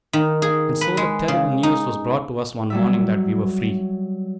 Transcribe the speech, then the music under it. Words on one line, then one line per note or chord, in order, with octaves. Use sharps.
And so the terrible news was brought to us one morning that we were free.
D#3
G#4
B4
G#3
C#3
D#4
F#3 G3 E5